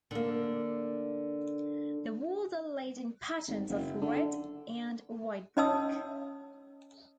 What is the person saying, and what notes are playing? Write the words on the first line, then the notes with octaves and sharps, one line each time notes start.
The walls are laid in patterns of red and white brick.
D3 A#3
G#1
F#1
D3
C#4 C#5 D#5 A5 D#6 E6